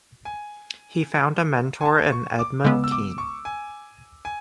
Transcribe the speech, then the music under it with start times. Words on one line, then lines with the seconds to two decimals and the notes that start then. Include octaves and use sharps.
He found a mentor in Edmund Kean.
0.25 G#5
1.81 G#5
1.85 A5
2.12 C#6
2.39 D6
2.65 C#3 G#3 B3 E6
2.84 E6
2.92 D6
3.18 C#6
3.45 G#5
4.25 G#5